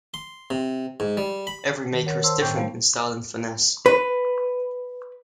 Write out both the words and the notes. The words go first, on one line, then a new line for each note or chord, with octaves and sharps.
Every maker is different in style and finesse.
C6
C3
G#2
G3
B5
D#3
A#4 C#5 F#5
C5 C#5 A5 C6 E6
A2 B3 G5 C#6 D6 G6
G3 A3 B3 D#4 C5 F5
B4